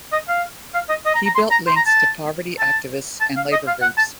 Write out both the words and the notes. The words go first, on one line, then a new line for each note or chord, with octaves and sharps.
He built links to poverty activists and labour groups.
D#5
F5
F5
D#5
D#5
A#5
A#5
C6
A#5
C6
A#5
A5
A5
A5
F5
D#5
F5
F#5
A5